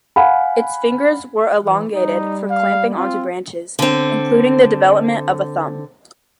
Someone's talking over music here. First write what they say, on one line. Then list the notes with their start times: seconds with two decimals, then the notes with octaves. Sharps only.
Its fingers were elongated for clamping onto branches, including the development of a thumb.
0.16 F5 F#5 G#5 B5
1.64 E3
1.95 G3 D#4
2.51 F5
2.97 C4 F4
3.79 D3 C4